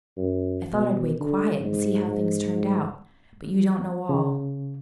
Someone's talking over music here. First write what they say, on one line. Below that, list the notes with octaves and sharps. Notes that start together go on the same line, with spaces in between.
I thought I'd wait quiet, and see how things turned out; but you don't know all.
F#2
B2
D3
G#2
G#2
C#3